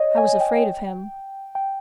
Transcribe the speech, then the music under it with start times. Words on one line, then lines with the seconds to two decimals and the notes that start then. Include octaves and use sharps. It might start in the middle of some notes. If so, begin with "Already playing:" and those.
I was afraid of him.
Already playing: C#5 D#5
0.17 G#5
0.40 G5
1.55 G5